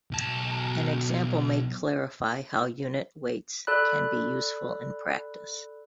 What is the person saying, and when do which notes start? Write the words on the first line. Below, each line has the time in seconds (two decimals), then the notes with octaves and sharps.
An example may clarify how unit weights can be useful in practice.
0.11 B1 A5
3.67 A4 D5 B5 F#6